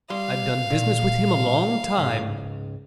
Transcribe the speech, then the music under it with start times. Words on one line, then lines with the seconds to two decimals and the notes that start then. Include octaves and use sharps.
I've done business with him a long time.
0.10 G3 F5 C6
0.70 A#2
1.97 C#2 G#2